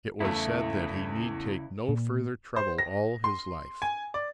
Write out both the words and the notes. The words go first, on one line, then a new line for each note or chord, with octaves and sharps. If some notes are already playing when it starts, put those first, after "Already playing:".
It was said that he need take no further trouble all his life.
E2 C#3 A3 E4
A#2
C5
A#6
C6
G#5
D5